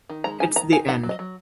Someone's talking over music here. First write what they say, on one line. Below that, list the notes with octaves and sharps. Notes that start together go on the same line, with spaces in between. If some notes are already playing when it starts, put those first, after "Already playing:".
It's the end.
D#3
G#3 A#5
D#4 G#5
D#3 A#5
D#3 G#5
D#4 F#5
F#3
D#5
F#3